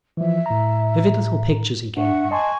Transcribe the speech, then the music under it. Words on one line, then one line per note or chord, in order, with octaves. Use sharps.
Vivid little pictures he gave me.
E3 F3 E5
A2 A#5
D4 E5 F#5 C#6
D#5 G#5 A5 C6 C#6